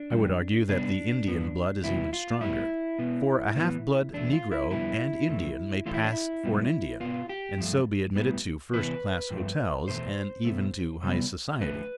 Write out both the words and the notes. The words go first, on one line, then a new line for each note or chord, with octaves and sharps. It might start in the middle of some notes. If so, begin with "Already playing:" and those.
I would argue that the Indian blood is even stronger, for a half-blood negro and Indian may pass for an Indian, and so be admitted to first-class hotels and even to high society.
Already playing: D4
F2 D3 G3
C3 G3 B3 D4
G2 F3 B3
E2 C3 G3 B3 E4
F4
A2 G3 B3 E4
B2 B3
A2 E3 B3
E2 D3 A3 D4
F4
E4
F2 D3 G3 B3 E4
F2 E3 A3
A2 E3 A3 F4
E4
D4
E4
F2 C3 G3 B3
B2 B3 F4
G4
G2 F3 A3
A2 G3 B3
C3 E3 B3 B4
G2 F3 A3
E2 B2 A3 C5
B2 A3
C3 G3 B3
F2 D3 A3 B4